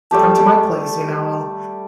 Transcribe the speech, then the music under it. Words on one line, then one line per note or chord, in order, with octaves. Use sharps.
come to my place," you know, "it'll
G3 A3 G4 A5